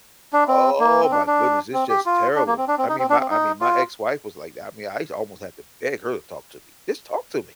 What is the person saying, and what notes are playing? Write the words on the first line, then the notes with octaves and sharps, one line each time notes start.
oh my goodness. It's just terrible. I mean my I mean my ex-wife was like that. I mean I used to almost had to beg her to talk to me. Just talk to me.
D4
C4
A#3
C4
D4
D4
C4
G4
F4
D4
A#3
C4
D4
C4
D#4
C4
D4
C4
D#4
F4